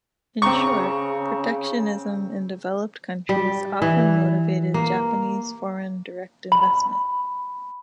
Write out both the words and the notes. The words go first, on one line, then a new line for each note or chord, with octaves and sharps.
In short, protectionism in developed countries often motivated Japanese foreign direct investment.
C#3 C4 A#5 C#6
G3
E3
A#3
B5